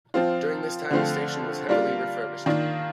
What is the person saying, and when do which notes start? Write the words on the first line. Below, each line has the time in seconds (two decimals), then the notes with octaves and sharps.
During this time the station was heavily refurbished.
0.14 F3 C4 F4
0.91 D3 F3 A3 C4 F4
1.69 G3 A#3 D4 F4
2.46 D#3 A#3 D4 F4